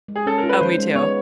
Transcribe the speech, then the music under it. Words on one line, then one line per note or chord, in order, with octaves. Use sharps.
Oh, me too.
G#3
G#4
C#4 A4
A#4
F4
B4
D#3 C5
G#3
B3 C#5